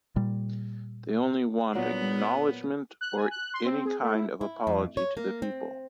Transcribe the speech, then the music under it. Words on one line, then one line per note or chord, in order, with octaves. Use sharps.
They only want "acknowledgement or any kind of apology to the people".
A#2 G3
A#2 F#3 B3 F#4
F#6
G#5
F#6
C6
C4
G#4
A3
E4
E4
F2
C#5
A#3
C4